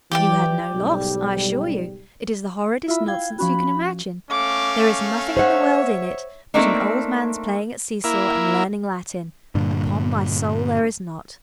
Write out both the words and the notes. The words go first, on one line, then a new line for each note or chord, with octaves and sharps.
"You had no loss, I assure you; it is the horridest nonsense you can imagine; there is nothing in the world in it but an old man's playing at see-saw and learning Latin; upon my soul there is not."
E3 G4 D5 G5
B1 G#2 G3
E4 F4 E5 B5
F5 G5 G#6
F3 C#4 F#4 B5
A3 C#4 F5 D6
C5 C#5 E5 F#5
A3 A#3 C4 D4 D#4
A#3 E4
G2 A#2 D3